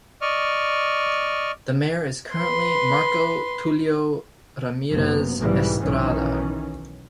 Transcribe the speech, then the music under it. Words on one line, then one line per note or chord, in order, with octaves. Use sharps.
The mayor is currently Marco Tulio Ramirez Estrada.
D5 D#5 C#6 F6
B4 C6
F#1 C3 B3
B1 G#2 C#3 E3 G3
B1 D#3 E3 C#4